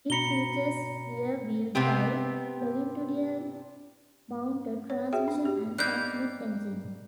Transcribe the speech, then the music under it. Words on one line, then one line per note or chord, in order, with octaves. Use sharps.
It features rear wheel drive, longitudinal-mounted transmission and front-mid engine.
B2 A#5 B5 C#7 G7
C3 B3 C4 G4
C#5
F#4 G#4 E5 G5
D4
G4
G3 A#3 D#4 F#6 G6